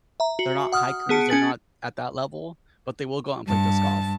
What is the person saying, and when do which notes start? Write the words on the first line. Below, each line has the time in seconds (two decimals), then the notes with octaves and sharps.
they're not hikers, they're not at that level, but they will go out and play disc golf.
0.20 E5 A#5
0.39 F#4
0.72 F#5 D#6 F6
1.09 B3 G#4 A5 C#7 D7
1.29 C#4 G#5 A6 F#7
3.47 G2 A5